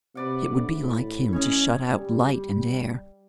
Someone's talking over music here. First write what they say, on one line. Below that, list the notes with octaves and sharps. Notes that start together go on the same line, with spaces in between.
It would be like him to shut out light and air.
C3 B4 D5 F#5
D2
A2
C#4 C#5 D#5 G#5
G3